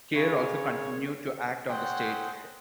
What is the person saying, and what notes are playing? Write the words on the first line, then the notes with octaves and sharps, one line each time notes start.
Keir also continued to act on the stage.
C#3 C4 G#4 A#4 C#5
C4 G#4 C5 C#5 F#5 G5